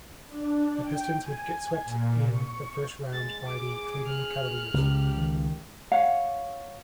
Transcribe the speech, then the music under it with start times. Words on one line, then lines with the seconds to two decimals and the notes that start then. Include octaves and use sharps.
The Pistons would get swept in the first round by the Cleveland Cavaliers.
0.28 D4
0.82 G5
1.21 G#5
1.85 A#2
2.30 C#6
3.13 G#3 A6
3.48 G#4 D6
4.07 F6 F#6
4.74 C#2 C#3 G4
5.17 D#3
5.92 C#5 F5 F#5